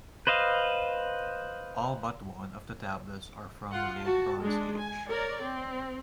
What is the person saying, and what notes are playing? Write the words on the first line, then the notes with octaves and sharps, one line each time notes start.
All but one of the tablets are from the Late Bronze Age.
B4 C5 D#5 F5
F4 F#5
F#4 A5
G#3 D4
G#5
A#4 C#5 D5
C4